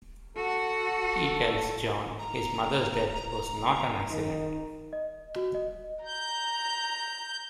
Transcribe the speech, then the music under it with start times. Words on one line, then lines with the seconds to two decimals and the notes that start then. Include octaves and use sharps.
He tells Jon his mother's death was not an accident.
0.37 F#4 A4 F#5
2.19 A#5
4.11 D#3 D#4
4.93 D#5
5.36 F#4
5.54 D#5
6.05 A#5 G6